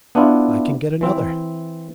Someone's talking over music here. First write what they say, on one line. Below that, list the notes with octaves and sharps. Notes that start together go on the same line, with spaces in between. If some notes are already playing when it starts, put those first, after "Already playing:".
'I can get another.
B3 D4 E4 F4
E3 C4